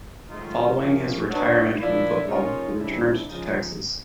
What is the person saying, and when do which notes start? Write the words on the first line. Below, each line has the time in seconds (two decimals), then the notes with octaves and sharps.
Following his retirement from football, he returned to Texas.
0.29 G#2 D#3 F#3 A3 D#4 F4
0.79 C3 F3 A#3 C#4
1.29 B2 F#3 B3 D4
1.78 A#2 F3 A#3 D4 E4
2.28 C#3 F#3 A#3 C#4 D#4 F4
2.77 C#3 E3 G3 C4 D4 E4
3.27 C#3 F3 G#3 D#4